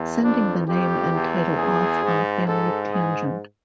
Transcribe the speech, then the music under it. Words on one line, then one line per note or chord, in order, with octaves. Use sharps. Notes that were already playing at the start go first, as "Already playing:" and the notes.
Sending the name and title off on a family tangent.
Already playing: E2
F2 D4
F2 G4
E2
G#4
G#2
G#2 A4
G#4